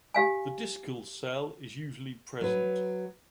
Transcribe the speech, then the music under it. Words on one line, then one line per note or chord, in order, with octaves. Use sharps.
The discal cell is usually present.
G4 F5 G#5
F#3 B4